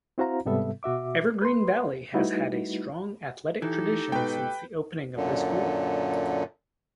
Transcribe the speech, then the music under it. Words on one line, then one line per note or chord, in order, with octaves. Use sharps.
Evergreen Valley has had a strong athletic tradition since the opening of the school.
C4 E4 F#4 C5 F5 A#5
G#2 C3 G3 B3 A4 E5
B2 F#4 E5 D6
B4 C6
G3 A3 D#4 E4 F#4 B4
E3 D#4 G4 A4
G#2 B2 B4 G5
F#2 A#2 D3